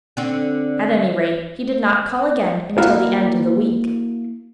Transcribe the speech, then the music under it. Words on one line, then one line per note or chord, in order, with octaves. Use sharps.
At any rate, he did not call again until the end of the week.
D3 C4
A#3 E4 F#4 F5